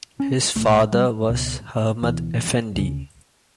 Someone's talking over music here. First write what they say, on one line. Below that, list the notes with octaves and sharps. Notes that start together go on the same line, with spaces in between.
His father was Ahmed Efendi.
C#4
B1 A#2 A3
G3
C#2 B2
C#2 B2 E3
D2 C#3